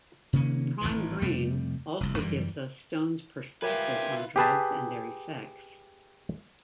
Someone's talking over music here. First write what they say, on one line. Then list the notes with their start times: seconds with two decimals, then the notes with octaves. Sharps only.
"Prime Green" also gives us Stone's perspective on drugs and their effects.
0.33 C3 D#3 A#3 C#4
0.81 G#1 C#2 A2 E3
1.22 F2 C3 G3 A3
2.00 F1 C2
2.18 F#2 E3 G3
3.62 F4 G4 A#4 B4 E5 G#5
4.36 G4 G#4 B4 A5